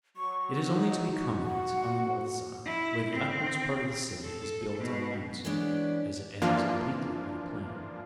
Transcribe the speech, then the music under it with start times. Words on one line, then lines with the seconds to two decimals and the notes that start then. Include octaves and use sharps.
It is only to be come at on the north side, where the utmost part of the city is built on the mountain, as it ends obliquely at a plain.
0.17 F#3 C#6
0.67 D#4
1.06 F#4
1.45 F#5
2.66 E4
3.12 C4
4.23 A4
4.78 B2
5.45 E3 G#3 B3 C#4 D4 D5
6.42 E3 F3 A#3 D4 F4